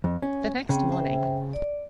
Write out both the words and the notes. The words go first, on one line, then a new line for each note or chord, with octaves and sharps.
The next morning.
F2
C#4
C#3 C4 G5
C5 E5 G5
D5